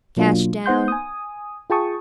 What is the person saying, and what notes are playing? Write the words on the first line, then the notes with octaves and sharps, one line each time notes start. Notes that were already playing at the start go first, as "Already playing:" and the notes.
"Cash down?"
B2 F#3 A#3 D4 F4
B3 D#4 C5 F#5 C6 G6
G#5 D#6
F4 G#4 G5 A5 C#6 D#6